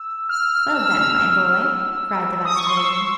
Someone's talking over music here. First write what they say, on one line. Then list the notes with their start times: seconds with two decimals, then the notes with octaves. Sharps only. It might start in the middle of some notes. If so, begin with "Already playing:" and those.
"Well done, my boy!" cried the Vice-Warden.
Already playing: E6
0.29 F6
0.52 F6
0.73 E6
0.85 F6
0.97 E6
2.45 D#6
2.56 C#6
2.67 C6
2.77 E6